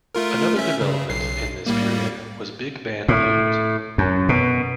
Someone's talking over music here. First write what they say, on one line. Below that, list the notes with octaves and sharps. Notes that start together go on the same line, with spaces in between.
Another development in this period was big band blues.
A3 F4 A#4
C#4 E5
C#3
B1 C7
A2 G3 A#3
A2
F#2
B2